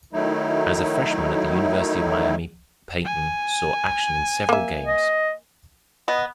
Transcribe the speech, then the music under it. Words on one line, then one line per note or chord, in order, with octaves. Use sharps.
As a freshman at the University of Miami, Payton saw action in several games.
D#3 F#3 A3 D#4 E4
G#5
A#3 E5
D#5
B3 D#5